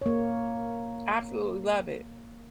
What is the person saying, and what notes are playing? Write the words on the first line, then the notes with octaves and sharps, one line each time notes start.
Absolutely love it,
A#3 C#5